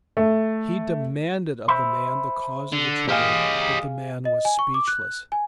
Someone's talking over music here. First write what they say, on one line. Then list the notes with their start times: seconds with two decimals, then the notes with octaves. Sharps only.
He demanded of the man the cause of the trouble, but the man was speechless.
0.17 A3
1.68 C5 E5 B5
2.72 D3
3.08 G4 G#4 D#5 F5 G#5
4.25 D#5
4.45 G#5
4.59 C#6
4.74 D6
4.88 F#6
5.32 G#5